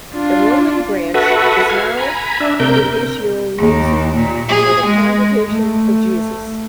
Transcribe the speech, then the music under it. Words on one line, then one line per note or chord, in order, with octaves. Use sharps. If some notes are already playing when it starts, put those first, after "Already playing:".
The Roman Branch is now Congregatio Jesu or the Congregation of Jesus.
D4 F4
F#4 A4 B4 E5 F#5
F5 G#6
G#5 A#5 B5
D4 E5
C3 A#4 G6
D#2
A#2
G#4
G#3
A3